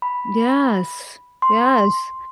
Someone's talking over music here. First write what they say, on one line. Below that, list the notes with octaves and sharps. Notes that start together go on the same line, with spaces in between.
Yes. Yes.
B5
C6